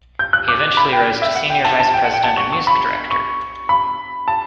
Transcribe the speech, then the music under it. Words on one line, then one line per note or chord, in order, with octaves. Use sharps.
He eventually rose to Senior Vice-President and Music Director.
G6
F#6
D6
B5
G5
E5
F#5
G5
A5
A5
G5
F#5
G5
A5
C#6
C#6
B5
C#6
B5
A5